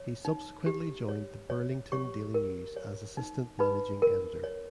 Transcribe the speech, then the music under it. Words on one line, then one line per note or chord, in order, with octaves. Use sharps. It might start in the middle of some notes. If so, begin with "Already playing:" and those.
He subsequently joined the "Burlington Daily News" as assistant managing editor.
Already playing: C#5
D#4
G4
C#5
C#5
G4 C#5 C#6
A#4
C#5
D#4
D#4 B4 B5
A#4
C#5